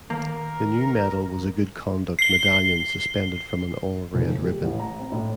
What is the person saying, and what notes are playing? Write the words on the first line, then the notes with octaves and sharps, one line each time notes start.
The new medal was a Good Conduct medallion suspended from an all red ribbon.
D#3 A#3 A#4
C7 G7
F1
F#1
G4
A1
A#5
C4
A2